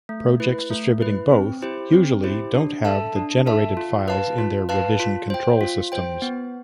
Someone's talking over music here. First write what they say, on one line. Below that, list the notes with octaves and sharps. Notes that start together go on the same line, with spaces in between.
Projects distributing both usually don't have the generated files in their revision control systems.
A3
E4 B4
A3
E4 B4
C4
E4 G4 C5
C4
E4 G4 C5
D4
A4 E5 A5
D4
A4 E5 A5
F4
B4 F5 A5
F4
B4 F5 A5
F4
C5 G5
F4
C5 G5
B3